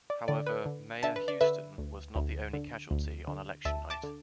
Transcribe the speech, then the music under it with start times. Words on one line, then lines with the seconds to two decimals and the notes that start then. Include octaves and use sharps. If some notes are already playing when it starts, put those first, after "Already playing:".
However, Mayor Houston was not the only casualty on election night.
0.10 D5
0.28 D3 D5
0.47 B4
0.66 D3
1.03 D3 E5 A5
1.16 B4
1.28 D5
1.41 D3 B4 E5
1.78 D2
2.16 D2
2.53 D3
2.91 D2
3.28 D3
3.65 D2 E5 A5
3.90 A5 D6
4.03 D3